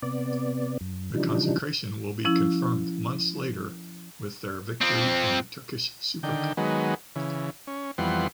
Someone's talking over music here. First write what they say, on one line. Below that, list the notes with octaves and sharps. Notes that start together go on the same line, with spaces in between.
The consecration will be confirmed months later with their victory in the Turkish Super Cup.
C3 B3 D5
F#2
C#3 E3 F3 G3 D4 D#4
F3 C#4 E4
F3 C4
D3 D#3 G5
D#3 F#3 G#3 B3
C#3 E3
C#4
F2 E3 G3 B3 F#5 C6